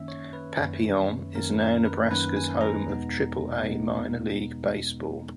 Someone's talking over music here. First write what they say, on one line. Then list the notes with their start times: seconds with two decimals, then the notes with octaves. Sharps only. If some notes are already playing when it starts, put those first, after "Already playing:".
Papillion is now Nebraska's home of Triple-A minor league baseball.
Already playing: F#2 D#3 A#3 C#4 E5
0.08 C#5
0.33 B4
0.59 F#2 D#3 A#3 C#4
1.34 F#2 D#3 A#3 C#4 A#4
1.60 A#4
1.85 B4
2.11 F#2 D#3 A#3 C#4 B4
2.36 G#5
2.61 A#5
2.87 E2 B2 G#3 B3 D#4
3.63 B2 G#3 B3 D#4